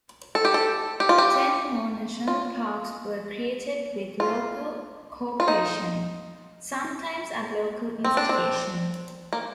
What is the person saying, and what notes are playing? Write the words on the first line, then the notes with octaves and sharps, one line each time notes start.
Ten more national parks were created with local co-operation, sometimes at local instigation.
A4
G4
A4
G4
F4
G4
F4
F4
F4
D#4
C4
D4
C4
A#3